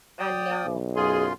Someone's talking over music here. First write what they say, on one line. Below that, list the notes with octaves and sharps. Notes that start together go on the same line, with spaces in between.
I know.
D5 G5 D#6
B1
F#2 F4 G#4 C6